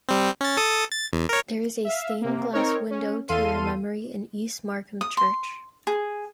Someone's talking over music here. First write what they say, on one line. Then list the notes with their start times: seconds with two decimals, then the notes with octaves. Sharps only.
There is a stained glass window to her memory in East Markham Church.
0.09 G3 C4
0.41 C#4 A6
0.57 A4 D#6 A6
0.91 A6
1.13 E2
1.29 A#4 C#5
1.85 E5 F5
2.21 C3 A#3
2.53 C4 D#4 A#4 C#5
2.90 C#4
3.29 E2 A4 F5 C6 D#7
5.01 D#6
5.17 C6
5.87 G#4